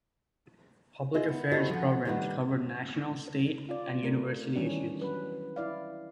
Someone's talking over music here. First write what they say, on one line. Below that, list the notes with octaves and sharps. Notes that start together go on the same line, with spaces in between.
Public Affairs programs covered national, state and University issues.
F4 G#4 D#5 E5
B3
E4 F#4 G4 A4 C5 D#5
F3 F#5
D#3 G3 D4 B4 F#5
F4 D5
A3 A#4
D#3 E3 G3 C#4 D4
F#3 B4
E4 D5 F5